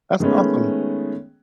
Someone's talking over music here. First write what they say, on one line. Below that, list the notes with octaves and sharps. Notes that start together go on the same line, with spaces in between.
that's awesome.
D#3 G#3 A3 B3 C#4